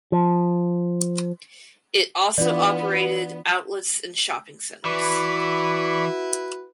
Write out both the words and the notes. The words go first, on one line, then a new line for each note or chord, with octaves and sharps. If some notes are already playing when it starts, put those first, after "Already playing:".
It also operated outlets in shopping centers.
F3
E3 B3 D4 F4 D5
E3 E4 F#4 B4 D5 B5 C#6